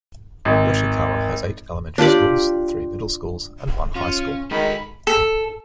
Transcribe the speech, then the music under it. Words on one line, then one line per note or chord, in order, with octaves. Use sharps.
Yoshikawa has eight elementary schools, three middle schools and one high school.
G#1
D4 F4 G4 D5
C#4 F4
D#3 G#3 F#4 A4 B5
A4